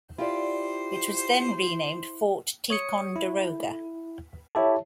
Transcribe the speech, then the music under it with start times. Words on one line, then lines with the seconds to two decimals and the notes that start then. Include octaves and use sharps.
It was then renamed Fort Ticonderoga.
0.18 E4 F4 G4 C5 D5
2.70 C#5 D#6 C#7
3.16 E4
4.55 E4 G4 A4 C#5 E5 A5